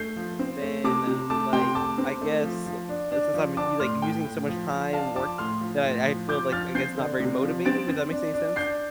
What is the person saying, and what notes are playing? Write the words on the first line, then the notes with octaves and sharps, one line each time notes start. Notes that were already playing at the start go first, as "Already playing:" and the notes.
then, like, I guess, uh, since I'm u like, using so much time, and working, that I feel, like, I guess not very motivated, if that makes any sense.
Already playing: A3 G6 C7
F3
C4
A3
C3 A5 D6
C3
A3 A5 D6
C3 G5 C6
A3 A5 D6
C4
A3
F3
F3
D4
D4
F3
D4 A5 D6
A2 C6 F6
A2 G5
A2
F3
F3
D4 F5 A5
F3 A5 D6
A2 C6 F6
F3
A2
F3
F3 D6 G6
F3 F6 A6
C4 G6 C7
D3
C3
F3
C4 A6 D7
C4
D4
D4
D4 G6 C7